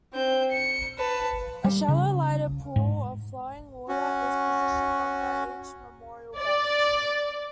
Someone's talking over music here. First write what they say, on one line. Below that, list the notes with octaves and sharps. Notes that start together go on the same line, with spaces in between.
A shallow lighted pool of flowing water is positioned under each memorial bench.
C4 G6
C#7
B4 A5
G3
C#3
G#2
C#4 F#4
D5